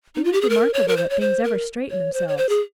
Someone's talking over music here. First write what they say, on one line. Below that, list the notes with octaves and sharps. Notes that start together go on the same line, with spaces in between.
It was remarkable that things ever straightened themselves.
D#4
F4
G4
G#4
A#4
C#5
A#4
C5
C#5
C5
A#4
C#5
C5
C#5
C5
G#4